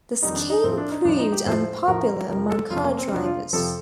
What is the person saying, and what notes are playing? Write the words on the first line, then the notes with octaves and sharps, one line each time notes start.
The scheme proved unpopular among car drivers.
F2 D#3 G3 D#4
D4
D#4
A2 F3 C4
D4
D#4
A2 F3 D4
D#4
G4
A2 F3 C5
A2 F3 A#4
F2 C3 F3 A#4
A4
F2 C3 F3 F4
A#3
C4
F2 C3 F3 D4
F4
F2 C3 F3 A4